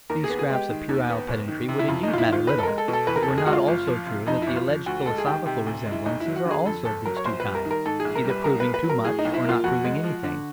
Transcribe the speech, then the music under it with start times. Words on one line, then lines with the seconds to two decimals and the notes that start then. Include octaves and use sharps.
These scraps of puerile pedantry would indeed matter little if it were not also true that the alleged philosophical resemblances are also of these two kinds, either proving too much or not proving anything.
0.10 D#2 A#4
0.24 G#4
0.29 B3
0.39 G#4
0.50 G#3 G4
0.69 D#3
0.89 D#2
1.09 B3
1.28 F#1
1.48 D#3
1.69 C3
1.79 E4
1.88 F2 F4
2.03 F#1 D#4
2.13 F4
2.18 E4
2.27 D#3 F4
2.47 F1 B4
2.58 A4
2.63 G#3 A#4
2.78 A4
2.88 B2
2.93 A4
3.07 E2 B4
3.16 A#4
3.23 A4
3.28 F1
3.38 G#4
3.46 G#3 F#4
3.53 F4
3.68 F#1
3.87 F3
4.07 C3
4.27 F2 D#4
4.42 E4
4.47 F#1
4.56 F4
4.67 F3
4.86 D2 F#4
5.06 G#3 A4
5.18 G#4
5.26 D#3 G4
5.46 C3 G4
5.66 D2
5.86 G#3
5.91 E4
6.06 F#1 D#4
6.20 E4
6.26 F#3
6.36 F#4
6.45 D3
6.51 G#4
6.66 F2 A4
6.85 F#1 A4
7.06 F#3 A#4
7.17 C#5
7.25 A#1 C5
7.40 B4
7.45 G3
7.55 A#4
7.65 D#3
7.71 A#4
7.86 G#2 A4
8.00 A#1 G#4
8.15 A#4
8.25 G3
8.30 B4
8.44 B1 A#4
8.60 A#3 B4
8.74 B4
8.84 F#3
8.89 A#4
9.04 A2 G#4
9.19 D#4
9.25 B1
9.34 E4
9.44 A#3 F4
9.64 F2 F#4
9.84 G#3
10.03 F3
10.24 D3